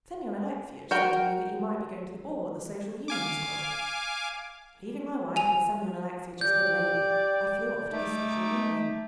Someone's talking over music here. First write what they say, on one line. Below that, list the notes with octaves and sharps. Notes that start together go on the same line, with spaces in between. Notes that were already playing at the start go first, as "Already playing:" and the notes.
Semyon Alexeyitch said to me that you might be going to the ball at the Social Union's club! Leaving my wife with Semyon Alexeyitch's good lady, I flew off to the Social Union.
F#4 A#4 G5
F5 G#5 D6
G#5 F7
G4 D5 G6
A3 D#4 D6